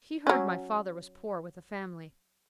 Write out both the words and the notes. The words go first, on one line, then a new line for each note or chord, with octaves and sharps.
He heard my father was poor, with a family.
F#3 C#4